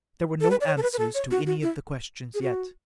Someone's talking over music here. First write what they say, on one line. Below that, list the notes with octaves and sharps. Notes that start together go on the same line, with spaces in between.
There were no answers to any of the questions yet.
A4
B4
D5
C#5
A4
B4
B4
A4
C#5
F#4
F#4
E4
G#4
F#4